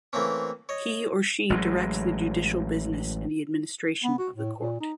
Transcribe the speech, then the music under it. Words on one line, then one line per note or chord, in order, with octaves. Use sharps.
He or she directs the judicial business and the administration of the Court.
E3 A3 A#3 C4 C#4
C#5 D#5
A1 F#3 G#3
B3
F#4
A2
A#2
D#4